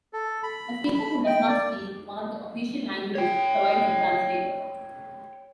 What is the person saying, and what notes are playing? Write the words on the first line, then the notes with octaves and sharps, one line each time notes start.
A speaker who does not speak one of the official languages provides a translator.
A4
B5
B5
G5
D5
C#5 G5